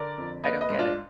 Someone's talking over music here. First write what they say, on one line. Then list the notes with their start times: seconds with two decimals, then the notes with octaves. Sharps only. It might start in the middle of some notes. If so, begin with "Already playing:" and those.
I don't get it.
Already playing: D3 A#4 D5
0.18 F2
0.44 A#3 B4 D#5
0.61 B4 D#5
0.70 G#2
0.79 D4 F4